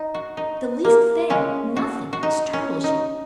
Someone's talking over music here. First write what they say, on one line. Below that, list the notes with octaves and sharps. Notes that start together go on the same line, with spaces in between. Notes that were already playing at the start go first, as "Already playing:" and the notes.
The least thing--nothing--startles you!
Already playing: D#4
F#4
D#4
A#3
C#3 G#3 C#4
F#4
F#4
D#4
C#4
D#4